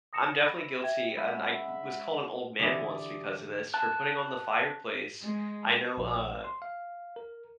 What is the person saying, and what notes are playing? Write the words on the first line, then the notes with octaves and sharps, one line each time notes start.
I'm definitely guilty, and I was called an old man once because of this, for putting on the fireplace. I know, uh,
D#6 A#6 C#7 E7
B5 E6 A#6
E5 G5 G#6
G#3 C#4 E5 F#5 B5
D3 E3 E4 G4 D5 D#6
A5 F#6
G#3
A#1
C6
F5
A#4